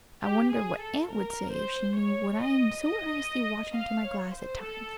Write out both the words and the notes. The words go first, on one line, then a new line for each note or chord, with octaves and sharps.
I wonder what Aunt would say if she knew what I am so earnestly watching through my glass at times.
G4
G#4
A4
A#4
C5
C#5
D#5
D#5
F5
C#5
C5
A4